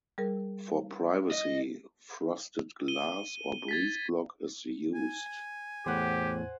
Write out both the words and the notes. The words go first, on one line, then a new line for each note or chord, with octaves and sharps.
For privacy, frosted glass or breeze block is used.
G3 G#4 A#4
D#5
D#7 G7
G#6 A6 B6
G#5
E2 A2 G4 C5 F#5